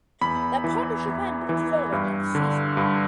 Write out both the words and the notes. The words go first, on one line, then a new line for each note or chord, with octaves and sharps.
Their partnership ended following that season.
E2 B5
E3
E2
E3
G2
D3
G2